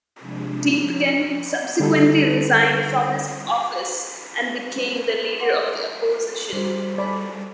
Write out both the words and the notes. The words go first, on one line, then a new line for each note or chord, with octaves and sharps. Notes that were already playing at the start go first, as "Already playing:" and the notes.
Diepgen subsequently resigned from his office and became the leader of the opposition.
C3 F3 G#3 D4
F3 C#5
D3 G3 D#4 A4
F#5 C6 D6
G3 F#4 G#4 C5
A4 D5 G#5 B5